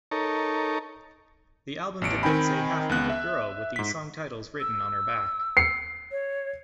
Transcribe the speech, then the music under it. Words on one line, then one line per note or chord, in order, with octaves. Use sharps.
The album depicts a half-naked girl with the song titles written on her back.
D#4 A4 A#4 C#5
A1 E2 C#7 D7
D#3 C4 D#4 G5 G#5 B5
C#2 B3 F#6
E5
G#2 B6
E6
C7 C#7
C#5